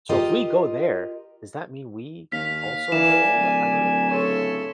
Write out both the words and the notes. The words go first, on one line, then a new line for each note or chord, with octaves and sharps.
So, if we go there, does that mean we also get old? I don't know.
F4 G4 A#4 D#5
D#2 F5 B6
E3 A#4 D5 G#5 E7
D1
C#3 E4 A4 C#5 C6